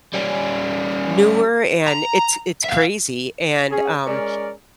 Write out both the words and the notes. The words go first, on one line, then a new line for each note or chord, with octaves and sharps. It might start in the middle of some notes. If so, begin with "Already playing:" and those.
newer, and it's it's crazy, and, um,
G3 C#4
A#5
E5 F5
C#4 G#4
G#3 C#4 A#4 D5